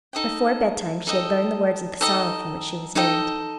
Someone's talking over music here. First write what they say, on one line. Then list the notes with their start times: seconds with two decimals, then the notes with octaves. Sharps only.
Before bedtime she had learned the words of the song from which she was named.
0.13 D#4 A4 D#5 G5
1.07 D#4 A4 D#5 G5
2.01 D#4 A4 D#5 G5
2.95 D#4 A4 D#5 G5